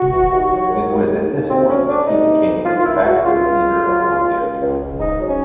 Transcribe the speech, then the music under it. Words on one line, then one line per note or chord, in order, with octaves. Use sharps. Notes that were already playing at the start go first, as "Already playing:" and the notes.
It was at this point that he became the "de facto" leader of Bulgaria.
Already playing: F#4
E3
D#2
F#3
D#2
D#2
D#2
D#2
D2 C4
D2 C#4
D2 D4
C3 D#4
E3
D2
D#3 F4
F4
C#2 E4
C#2 F#4
C#2 F4
C#2
C#2
F#3
C#2
C#2
C#2
C#2
C#2
G#2 D#4
F#3
C#4